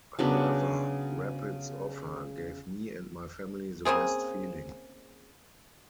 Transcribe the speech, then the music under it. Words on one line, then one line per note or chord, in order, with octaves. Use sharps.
However, Rapid's offer gave me and my family the best feeling.
C#3 F#3 B3 D4
C#3 A#3 C4 G#4